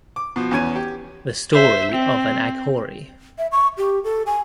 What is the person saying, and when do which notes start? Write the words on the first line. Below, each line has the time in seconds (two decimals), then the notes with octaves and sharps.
The story of an Aghori.
0.16 D6
0.36 B2 F3
0.51 E2 B3 C#4 G#5 G#6 D#7
0.76 G4
1.53 C5 E5
1.92 C4
3.38 E5
3.52 C#6
3.77 G4
4.04 A4
4.26 G#5